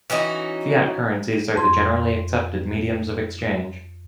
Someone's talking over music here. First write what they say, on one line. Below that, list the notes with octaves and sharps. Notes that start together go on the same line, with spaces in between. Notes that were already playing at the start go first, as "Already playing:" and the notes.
Fiat currencies are the generally accepted mediums of exchange.
E3 C#4 D#4 F#4
F2 C6